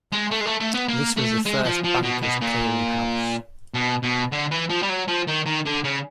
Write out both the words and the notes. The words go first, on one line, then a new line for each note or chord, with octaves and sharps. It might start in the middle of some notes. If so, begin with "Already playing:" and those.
This was the first bankers' clearing house.
G#3
A3
G#3
A3
A3
B3
A#3
A3
G#3
F3
F3
B2
B2
A#2
B2
B2
D3
E3
F3
G3
F#3
F3
D#3
D#3
D3
C#3